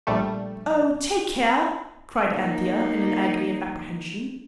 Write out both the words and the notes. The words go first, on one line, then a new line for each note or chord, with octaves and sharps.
'OH, take care!' cried Anthea in an agony of apprehension.
A#1 G3 A3
A#3 D#4